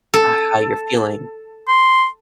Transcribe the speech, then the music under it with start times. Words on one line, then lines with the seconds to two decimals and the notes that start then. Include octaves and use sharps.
how you're feeling
0.14 A4
1.68 C6